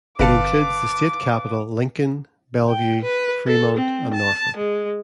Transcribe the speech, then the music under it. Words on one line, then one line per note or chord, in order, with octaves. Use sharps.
It includes the state capital Lincoln, Bellevue, Fremont, and Norfolk.
G1 B4 F5 A5 D6 C#7
G5
B4
A4
C4
A5
G#3